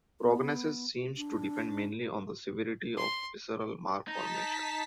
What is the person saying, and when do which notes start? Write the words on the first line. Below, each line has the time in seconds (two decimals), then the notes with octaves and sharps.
Prognosis seems to depend mainly on the severity of visceral malformations.
0.20 B3
1.17 D4
2.97 C6
4.08 D#4 A5 B6